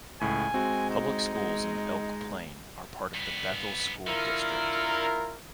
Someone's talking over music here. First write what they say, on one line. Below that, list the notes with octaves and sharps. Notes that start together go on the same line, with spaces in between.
Public schools in Elk Plain are part of the Bethel School District.
C#2 A2 G#5
G#3 C4 F#4
D#4
G#3
G2 B3
D3 E4 F4 A#4